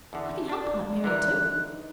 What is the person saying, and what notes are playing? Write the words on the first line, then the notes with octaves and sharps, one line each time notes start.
I can help Aunt Mary, too.
E2 D3 A5
D4 D5 A5
D3 E3 A#4 F#6
D#4